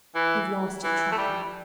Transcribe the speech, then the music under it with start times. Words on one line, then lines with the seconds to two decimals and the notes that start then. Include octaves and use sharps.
"You've lost it travelling."
0.15 E3
0.83 E3
1.12 A3
1.18 G3